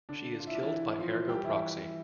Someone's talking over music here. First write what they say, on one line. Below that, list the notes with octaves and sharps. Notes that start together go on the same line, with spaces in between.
She is killed by Ergo Proxy.
D3 D4
F4
E4
D4
E3 E4
F3 F4
G3 G4
E3 E4